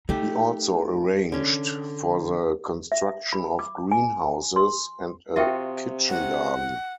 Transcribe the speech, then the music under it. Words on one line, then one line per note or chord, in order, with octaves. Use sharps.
He also arranged for the construction of greenhouses and a kitchen garden.
A3 D#4 G4
D3 C#4
E5
B5
D6
G#5
C6
C3 F4 F#4 D#5 E5 G5
F#5